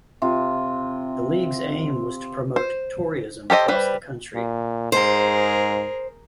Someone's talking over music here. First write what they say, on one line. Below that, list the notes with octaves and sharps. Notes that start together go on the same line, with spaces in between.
The league's aim was to promote Toryism across the country.
C3 F4
C5
G4 A4 C5 D#5
G3 B4 C5
A#2
G#2 G#4 A#4 C5